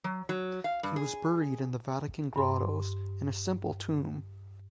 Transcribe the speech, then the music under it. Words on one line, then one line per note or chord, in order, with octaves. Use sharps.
He was buried in the Vatican grottoes in a simple tomb.
F#3
F#3
F5
G2
G#4
G2 C6